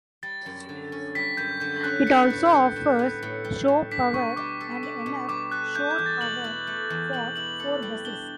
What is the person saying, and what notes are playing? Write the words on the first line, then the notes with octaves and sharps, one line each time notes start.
It also offers show power and enough shore power for four buses.
G3 A6
F#2
D3
C#4
G3 B6
F#2 G6
D3 G6
C#4 F#6
B3 C#7
A2
G3 C#7
A2
B3
A2
G3
A2
D4 B6
B2 C#6
G3 D6
A4
D4
B2
G3 D6
A4 F#6
A3 G6
G6
E2
A6
B2 F#7
E4
A3
E2
B2 F#7
E4 F#7
A4
G3
D4 G7